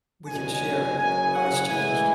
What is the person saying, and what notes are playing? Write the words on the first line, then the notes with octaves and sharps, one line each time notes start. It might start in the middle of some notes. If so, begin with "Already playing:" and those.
we can share how it's changed.
F#1 E2 B2 G#3 C#4 G#5
F#1 F#2 C#3 G#5
F#5
A2 E3 G#3 G#5